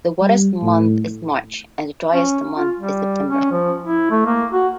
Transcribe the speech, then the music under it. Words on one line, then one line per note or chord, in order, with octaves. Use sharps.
The wettest month is March and the driest month is September.
G3
A2
C#4
F4
G3
C#4
F3
E4
A3
A#3
F#4